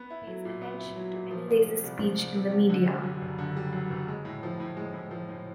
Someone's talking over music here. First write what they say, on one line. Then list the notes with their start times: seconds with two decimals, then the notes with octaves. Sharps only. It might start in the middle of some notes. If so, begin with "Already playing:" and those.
It pays attention to any racist speech in the media.
Already playing: B3
0.10 E4
0.27 F#3
0.45 A#2
0.62 B3
0.79 E4
0.96 F#3
1.13 A#2
1.31 F3
1.48 C2
1.66 C3
1.83 C2
2.00 F3
2.18 C2
2.35 C3
2.52 C2
2.69 D3
2.86 G3
3.03 F#2
3.21 F#1
3.38 D3
3.56 G3
3.73 F#2
3.90 F#1
4.08 G#3
4.25 A2
4.43 F3
4.60 A2
4.77 G#3
4.94 A2
5.11 F3
5.29 A2